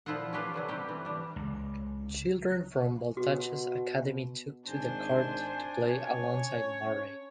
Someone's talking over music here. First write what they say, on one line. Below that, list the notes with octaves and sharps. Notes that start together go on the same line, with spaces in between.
Children from Baltacha's academy took to the court to play alongside Murray.
A#2 F3 E4 F4 D#5 F#5
C#4 D4 F4 G4 B4
B2 D3 F#3
C3 G3 G4 B4
E3
G3 D4
C#2
B2 F#4
G#1 D4 C5 G#5
C#4 C#5